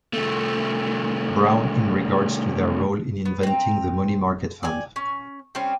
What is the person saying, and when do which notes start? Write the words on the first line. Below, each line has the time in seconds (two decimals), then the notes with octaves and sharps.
Brown in regards to their role in inventing the money market fund.
0.14 C2 A3
3.25 B3
3.43 C4 A#5
4.63 D5 G#5
4.96 C#4
5.55 G3 C4 C#4